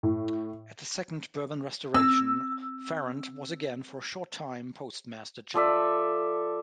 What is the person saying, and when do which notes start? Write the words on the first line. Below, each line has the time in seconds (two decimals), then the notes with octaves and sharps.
At the second Bourbon restoration Ferrand was again for a short time postmaster general.
0.03 A2
1.94 C4 E6
5.54 F3 A4 D5 E5